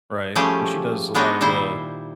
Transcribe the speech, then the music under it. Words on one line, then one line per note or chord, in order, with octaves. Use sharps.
Right. And she does a lot of the
F3 G3 A3 C#4 G4 G#4
G#3 B3 D4 D#4 F#4 A#4
A#2 D#3 G3 E4 C5